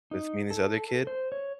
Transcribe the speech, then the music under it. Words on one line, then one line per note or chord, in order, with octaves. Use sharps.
with me and this other kid.
D#4
A4
C5
C#5